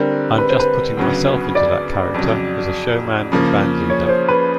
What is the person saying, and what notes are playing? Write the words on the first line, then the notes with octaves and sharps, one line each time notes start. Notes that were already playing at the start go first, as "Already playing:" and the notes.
I'm just putting myself into that character as a showman and bandleader.
Already playing: D3 G3 C4 A#4
B4
C5
B4
D2 C#3 F#3 B3
D5
F2 C#3 F#3
C#3 F3 A#3
C#5
C#5
C5
B4